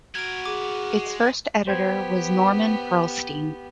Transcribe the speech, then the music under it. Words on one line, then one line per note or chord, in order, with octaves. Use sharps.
Its first editor was Norman Pearlstine.
B3 F#4 A#4 G#6 D7
G#4 D6
G#3
B3 G4 C5 G5 G#6